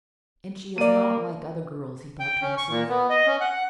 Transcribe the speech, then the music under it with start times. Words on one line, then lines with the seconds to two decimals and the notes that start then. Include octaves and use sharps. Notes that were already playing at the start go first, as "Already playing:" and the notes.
"And she is not like other girls," he thought to himself.
0.78 A#3 D5 D#7
2.20 G5
2.42 C#4
2.57 C#6
2.70 A#2
2.89 B3
3.10 D#5
3.27 C#4
3.41 F#5
3.53 F#5